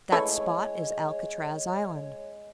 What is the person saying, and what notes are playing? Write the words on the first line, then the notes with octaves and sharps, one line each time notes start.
That spot is Alcatraz Island.
E3 G#3 A3 E4 C#5